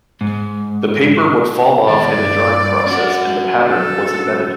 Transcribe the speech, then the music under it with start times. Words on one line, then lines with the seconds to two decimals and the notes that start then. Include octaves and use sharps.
The paper would fall off in the drying process and the pattern was embedded.
0.21 G#2
1.87 B2 D#3 G#3 D5
2.17 G2
2.87 C#4 F#4
3.65 A4